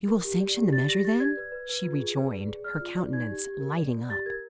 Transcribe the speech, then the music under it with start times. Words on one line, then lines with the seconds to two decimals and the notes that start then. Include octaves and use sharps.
"You will sanction the measure then?" she rejoined, her countenance lighting up.
0.08 A#4
0.24 G4
0.40 D5
0.57 G4
0.73 D5 A6
0.88 G4 A#6
1.05 G4 A6
1.20 D5 G#6
1.37 B4
1.52 B4
1.69 B4
1.85 F4
2.00 G#4
2.17 B4
2.32 D5
2.49 G#4
2.64 D5 F6
2.81 F4
2.97 D5
3.13 D#4 G#6
3.29 G4
3.46 G4
3.61 A#4
3.77 D5
3.93 D5
4.10 G4 A6
4.26 A#4 G#6